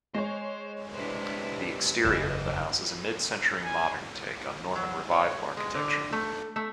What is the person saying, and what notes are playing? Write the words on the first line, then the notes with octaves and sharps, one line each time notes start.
The exterior of the house is a mid-century modern take on Norman revival architecture.
G#3 C5 C#5
D4 E4 G4 B4 C5
F#1 E2 C#3 E4 B4 D#5
G#5
F#3
C#5
G#3
D3
A3
A3